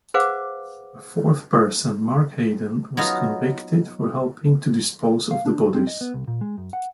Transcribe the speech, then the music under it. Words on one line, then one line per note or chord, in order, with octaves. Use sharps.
A fourth person, Mark Haydon, was convicted for helping to dispose of the bodies.
G#4 B4 C5 F5 F#5 D6
F#3 B3 D#4 F4
F5
D4
F#4
C4
D#5
B3
C2
A#2
G#3
F#2
F#5